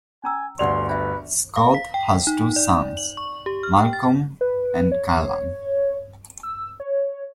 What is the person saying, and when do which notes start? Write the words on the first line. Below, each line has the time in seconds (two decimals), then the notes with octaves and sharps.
Scott has two sons, Malcolm and Callan.
0.24 C#4 G#5 A#5 E6
0.59 G1 D2 D5 F#5 C6 F7
0.89 D4 B4 E5
1.56 F5
1.74 B6
1.94 G5
2.27 D#4
2.56 D5
2.97 F#7
3.17 C#6
3.46 G4
3.63 F6
3.78 G5
3.93 A6
4.41 B4
4.92 C#5
6.43 E6
6.80 C#5